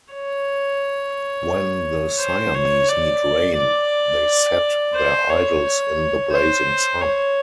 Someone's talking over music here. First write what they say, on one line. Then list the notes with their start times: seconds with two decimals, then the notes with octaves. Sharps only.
When the Siamese need rain, they set their idols in the blazing sun.
0.14 C#5
2.19 C5
2.55 C#5
2.88 D5
3.57 D5
4.96 C5
5.30 C#5
6.33 C5
7.02 C#5